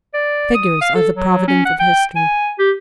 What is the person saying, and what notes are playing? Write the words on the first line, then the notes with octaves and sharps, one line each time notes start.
Figures are the providence of history.
D5
D#6
F5
A4
F#3
C#4
F#5
G5
G#5
G4